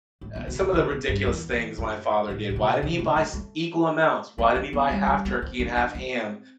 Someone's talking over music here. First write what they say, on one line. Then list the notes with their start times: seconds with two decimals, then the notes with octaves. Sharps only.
uh, some of the ridiculous things my father did. "Why didn't he buy s equal amounts? Why didn't he buy half turkey and half ham?
0.21 A2
0.36 B2
0.47 B2
0.61 C3
0.74 D3
0.91 B2
1.08 G2
1.27 E2
1.52 E2
1.78 F#2
2.30 A2
2.50 C3
2.56 B2
2.82 C3
2.99 A3
3.16 F#3
3.34 A3
4.38 C4
4.56 D4
4.73 B3
4.90 G3
5.07 G3
5.25 B3
5.42 C4
5.60 D4
5.77 D4
5.95 C4